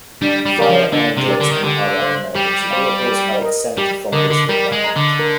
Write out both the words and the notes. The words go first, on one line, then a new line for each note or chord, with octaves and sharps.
Fire engines and other emergency vehicles are exempt from this requirement.
G3 D4
G3
G3 G4 A#4 D5
F3
D3 D4
C3
G4 A#4 D5
D3
D#3
D3 G4
C5 F5
G3 G4
C5 F5
G4
A#4 D#5
G3 G4
D3 A#4 D#5
D3
G3 A#4
G#3
D#5 A#5
D3
A#4